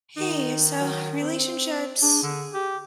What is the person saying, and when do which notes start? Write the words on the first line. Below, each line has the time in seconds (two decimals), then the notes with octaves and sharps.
Hey, uh, so relationships
0.16 D#3 D#4
0.80 F#3
1.21 C4
2.02 D4 G#4
2.23 D3
2.54 G4